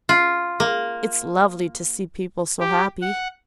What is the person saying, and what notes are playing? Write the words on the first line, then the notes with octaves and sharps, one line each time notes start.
It's lovely to see people so happy.
F4
A#3
G4
F#5